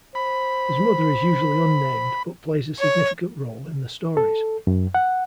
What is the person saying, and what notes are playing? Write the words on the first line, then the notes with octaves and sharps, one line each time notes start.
His mother is usually unnamed but plays a significant role in the stories.
C5 B5
C#5
A4
F#2
F#5